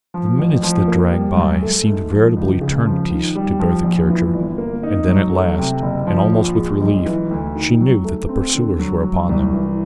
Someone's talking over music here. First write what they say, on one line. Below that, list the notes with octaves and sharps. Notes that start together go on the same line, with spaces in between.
The minutes that dragged by seemed veritable eternities to Bertha Kircher and then at last, and almost with relief, she knew that the pursuers were upon them.
F3
A1
F3
A#3
G3
F#2
A3
G#2
F3
C#2
C#3
F3
D#3
G3
F3
A#1
E3
G1
A#3
D#4
F#3
A3
C3
F#1
F3
A#1
G#3
B1
E3
D2
D#3
F#3
A3
C4
D3
F#3
F#3
C2
E3